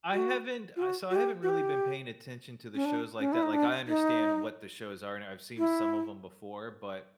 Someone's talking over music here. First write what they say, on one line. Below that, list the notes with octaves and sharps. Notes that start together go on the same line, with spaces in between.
I haven't, I so I haven't really been paying attention to the shows like that, like I understand what the shows are, and I've seen some of 'em before, but
F#4
F4
F#4
F#4
G4
F#4
G4
C#4
D4
C#4
E4
D#4
D4
D#4
E4